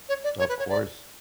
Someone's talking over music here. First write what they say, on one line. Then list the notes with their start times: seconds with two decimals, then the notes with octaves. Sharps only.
Of course.
0.09 C#5
0.24 D5
0.39 C#5
0.49 B4
0.59 C#5
0.69 D5